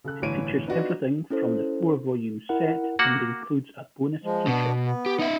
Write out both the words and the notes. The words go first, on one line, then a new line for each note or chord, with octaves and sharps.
It features everything from the four-volume set and includes a bonus T-shirt.
C#3 A4 F#6
G1 A2 E3 C#5 D7 D#7
B3 D4 D#4 F4 F#4 B4
C#4 E4 A4 C5
E4 A#4 F#5
A#3 F#4 F#5 D6
F3 G#3
B2 B3 D4
B3
G4
D#4 E5